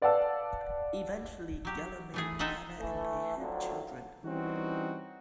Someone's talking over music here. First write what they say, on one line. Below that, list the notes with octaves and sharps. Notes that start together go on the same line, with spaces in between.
Eventually, Geller married Hannah and they had children.
B4 D5 F5 F#5 A5 E6
F#3 G4
E3 A3 G#4
C4 D#4 A4 D#5 E5 F#5
E3 A3
D2 A2 D3 F3 F#3
E3 G3 C4 C#4 D#4 F#4